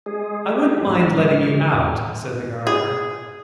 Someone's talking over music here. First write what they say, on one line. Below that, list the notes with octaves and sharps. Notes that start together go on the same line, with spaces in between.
"I wouldn't mind letting you out," said the Gardener.
G#3 G#4
G4 G#4
A1 A2 G#3 F6
E2 A2
G#4